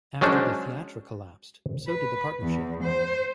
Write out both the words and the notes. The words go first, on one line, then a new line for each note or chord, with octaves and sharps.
After the theatre collapsed, so did the partnership.
F#3 G#3 C#4 D4 C5
B4
E2
C5